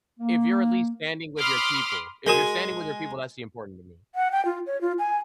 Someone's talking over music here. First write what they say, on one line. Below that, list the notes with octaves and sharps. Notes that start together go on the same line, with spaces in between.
if you're at least standing with your people, if you're standing with your people, that's important to me,
A#3
B5 C6 D6 D#6 F6
G#3 F#4 A#4 G#5
F#5
G5
F4
C#5
F4
G#5